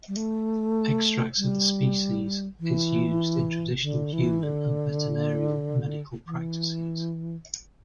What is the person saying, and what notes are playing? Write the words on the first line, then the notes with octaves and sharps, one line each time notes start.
Extracts of the species is used in traditional human and veterinary medical practices.
G3
A3
G3
E3
D3
E3
D3
E3